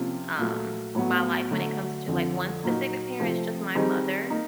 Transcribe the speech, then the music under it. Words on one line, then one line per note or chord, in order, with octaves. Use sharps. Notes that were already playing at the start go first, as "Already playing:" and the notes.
um, my life when it comes to like one specific parent. It's just my mother.
Already playing: C3 F3 A#3 C#4 F4
A#2 F#3 A3
A2 F#3 B3
D3 F#3 A3
F2 D3 F3
A#2 F#3 A#3 D#4
C3 F3 A3 C4
D#3 G3 C4 D#4 G#4
A#3 D#4